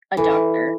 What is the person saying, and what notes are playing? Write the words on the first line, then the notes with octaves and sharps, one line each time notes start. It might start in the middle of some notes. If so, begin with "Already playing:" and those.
a doctor.
E3 A4